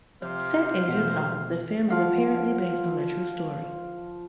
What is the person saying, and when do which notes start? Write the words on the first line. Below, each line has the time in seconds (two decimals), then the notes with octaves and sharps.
Set in Utah, the film is apparently based on a true story.
0.22 C3 F3 C5 F5
0.88 E1 G2 B3 G6
1.88 F3 F5 F#5